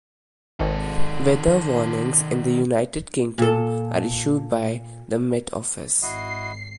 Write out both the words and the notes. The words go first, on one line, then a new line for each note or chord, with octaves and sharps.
Weather warnings in the United Kingdom are issued by the Met Office.
G#1 D#3 A4
A#2 A4
G#1 E4 F#4 D#5 C7